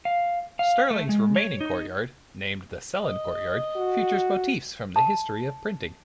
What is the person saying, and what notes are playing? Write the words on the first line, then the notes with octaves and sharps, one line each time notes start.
Sterling's remaining courtyard, named the Selin Courtyard, features motifs from the history of printing.
F5
F5
A3
G#3
C#5
D#4
D#5
F#4
A5